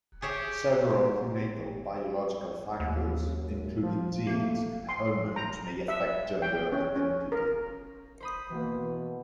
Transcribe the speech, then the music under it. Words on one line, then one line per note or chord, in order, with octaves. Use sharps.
Several prenatal, biological factors, including genes and hormones, may affect gender identity.
G4 G#4 C#5 E5
A1 D#2
F#2
F3
A3 A#3
C6
A#5
E5
G5
C#4
C#4
A#4
C5 B5 D#6
B2 E3 A#3